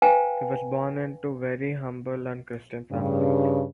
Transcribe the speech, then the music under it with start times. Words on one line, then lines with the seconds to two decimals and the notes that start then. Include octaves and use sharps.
He was born into very humble and Christian family.
0.02 B4 C5 F5 G5 G#5 A#5
2.92 G2 C#3